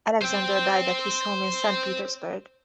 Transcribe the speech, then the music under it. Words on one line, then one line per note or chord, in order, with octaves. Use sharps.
Alexander died at his home in Saint Petersburg.
C5 G5